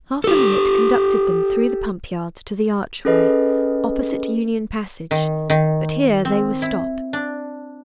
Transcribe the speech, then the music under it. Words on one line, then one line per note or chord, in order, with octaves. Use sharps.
Half a minute conducted them through the pump-yard to the archway, opposite Union Passage; but here they were stopped.
G4 A4
C#4 G#4 A4 B4 D#5
D#3
D#3
C4
E4
D4